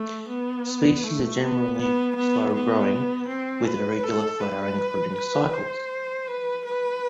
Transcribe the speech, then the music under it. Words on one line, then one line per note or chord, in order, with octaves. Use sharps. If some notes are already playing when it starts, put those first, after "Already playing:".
Species are generally slow growing with irregular flowering and fruiting cycles.
Already playing: A3
B3
A3
B3
B3
B3
B3
C4
B4
A4
B4
B4
C5
B4
B4